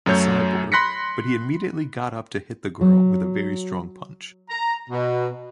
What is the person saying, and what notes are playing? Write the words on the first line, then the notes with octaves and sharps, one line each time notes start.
The cyborg, but he immediately got up to hit the girl with a very strong punch.
F#2 F#3 A3 C#5 G6
B5 C6 F#6 A#6 B6 C#7
F#3
A#5
B2